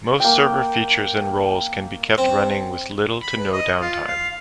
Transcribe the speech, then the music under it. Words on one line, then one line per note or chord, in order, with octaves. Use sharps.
Most server features and roles can be kept running with little to no downtime.
A#3 G5
C4
B5
B4
D#5
F4
F5